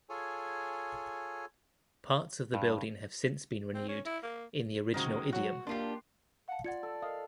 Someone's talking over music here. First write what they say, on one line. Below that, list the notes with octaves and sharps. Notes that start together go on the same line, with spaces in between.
Parts of the building have since been renewed in the original idiom.
F4 G#4 A4 C#5 G#5
G2
C4
C#4
E4
A#3
C#2 D#3 F#3 G#3 F#4 C5
F#3 F#4 F#5 F#6
A#3 D4 F4 G4 C6 C7
F5 F#5 A5
F4 D5 F#5 G#6 C#7
A4
A#4 D#5 F5 D#6